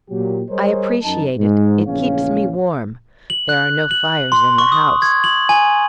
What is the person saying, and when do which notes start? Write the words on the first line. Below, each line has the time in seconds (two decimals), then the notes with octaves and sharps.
I appreciate it--it keeps me warm; there are no fires in the house.
0.10 A#2 F#3 G4
0.49 G3 G#4 A#4 C5 C#5 D#5
1.03 F#2 D#4 A5
1.38 G#2
1.87 A#1 E2 C#3 C#4 C#5 F5
3.30 F#7
3.49 F#6
3.91 F#7
4.32 C6
4.58 C#6
4.72 D#6
5.02 G#6
5.24 F#7
5.49 G#5